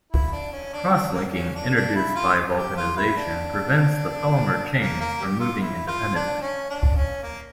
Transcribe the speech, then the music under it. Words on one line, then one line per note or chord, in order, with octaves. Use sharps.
Crosslinking introduced by vulcanization prevents the polymer chains from moving independently.
E4
D4
C#4
D4
D4
A#3
A#3
C#4
D4
D4
E4
F4
G4
F4
E4
D4
A#3
A#3
G4
F4
E4
F4
D4
C#4
D4
C#4
A#3